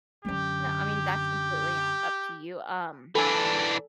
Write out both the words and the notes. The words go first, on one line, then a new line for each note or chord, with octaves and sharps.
No, I mean, that's completely on up to you, um,
F#2 D3 G4
E3 D4 A4 G#5